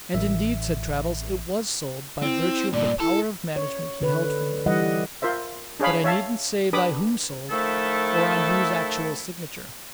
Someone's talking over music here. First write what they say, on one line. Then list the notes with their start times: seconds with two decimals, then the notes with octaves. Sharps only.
'And indeed,' said Traddles, 'it was sold, by virtue of the power of management he held from you; but I needn't say by whom sold, or on whose actual signature.
0.14 A1 E5
2.22 C4 E4
2.73 G2 A#2 D5
3.00 E4 A4
3.56 C#5
4.02 D3 B4
4.66 E3 G3 D#5 F#5
5.22 F4 A#4 C5 E5
5.80 D4 G#4 C#5 F5 B5
6.04 C#5 E5 F5 A5
6.73 D4 G4 B4 B5 D6 D#6
7.51 D#3 F3 A3 E4 A4